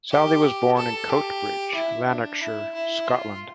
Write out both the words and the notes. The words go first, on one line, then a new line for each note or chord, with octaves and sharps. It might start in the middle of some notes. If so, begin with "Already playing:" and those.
Sally was born in Coatbridge, Lanarkshire, Scotland.
G4
A4
G4
E4
D4
E4
E4
F4